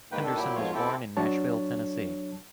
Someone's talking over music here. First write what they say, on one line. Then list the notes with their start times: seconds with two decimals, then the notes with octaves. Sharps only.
Henderson was born in Nashville, Tennessee.
0.12 G#2 D#3 A#3 B4 G5
0.23 D#3 D4 A4
0.36 A#2 F#3 E4 G4
0.55 F2 G#2 B2 F4 C#5
0.74 C4 E4 G4 A4
1.17 F#3 D4 C#5 A5